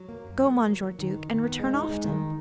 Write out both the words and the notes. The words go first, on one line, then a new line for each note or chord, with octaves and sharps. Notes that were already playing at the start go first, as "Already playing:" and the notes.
Go, Monsieur Duke, and return often.
Already playing: F#3
A#3
F#2
F#3
A#3
F#3
F#3
D#3
D#3
D#3
B3
G#3
D#4
G#3
D#3